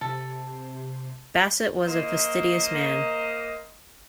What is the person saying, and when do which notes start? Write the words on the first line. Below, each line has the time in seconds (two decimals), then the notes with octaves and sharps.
Bassett was a fastidious man.
0.01 C3 A4
1.86 A#3 C5 D#5